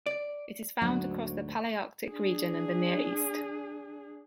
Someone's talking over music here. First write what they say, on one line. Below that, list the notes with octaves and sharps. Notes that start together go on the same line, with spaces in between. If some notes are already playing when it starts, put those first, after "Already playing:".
It is found across the Palearctic region and the Near East.
D5
D2 G#2 F#3 D4 F#4
D4 G#4